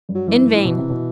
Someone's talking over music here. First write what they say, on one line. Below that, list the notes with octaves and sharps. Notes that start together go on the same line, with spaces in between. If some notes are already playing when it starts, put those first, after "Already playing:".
In vain!
G2
F#3
G2 E3
F#2
G2
A2
B2
C3
B2